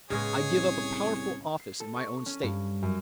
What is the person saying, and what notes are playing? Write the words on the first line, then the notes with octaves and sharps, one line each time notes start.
I give up a powerful office in my own state.
A2 C#3 G#3 A#3 B3 G#4 C#5
C2
C7
A4
C#6
C#4
G2
F#2